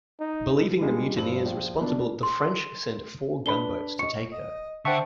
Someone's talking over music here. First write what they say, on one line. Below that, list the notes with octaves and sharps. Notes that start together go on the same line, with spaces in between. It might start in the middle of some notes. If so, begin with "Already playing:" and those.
Believing the mutineers responsible, the French send four gunboats to take her.
D#4
G3 G#3 D4 F4
G2 F3 F#7
A#1
B2 D4
C6
D4 B4 B5 G7
D#5 C#6 C#7
D#5
D3 C5 E5 F#5 G5 A5 C#6